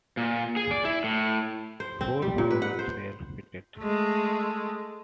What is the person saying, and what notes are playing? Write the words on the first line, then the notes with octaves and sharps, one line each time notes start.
Four funnels were fitted.
A#2
G#4
D5
E4
A2
C5
C4
G3
A#2
B4
F#5
C5
G#3 A3